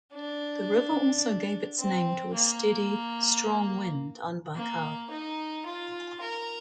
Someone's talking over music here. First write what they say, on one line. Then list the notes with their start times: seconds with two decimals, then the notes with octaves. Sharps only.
The river also gave its name to a steady, strong wind on Baikal.
0.13 D4
1.79 C4
2.34 A#3
4.55 A#3
5.10 D#4
5.65 F4
6.21 A#4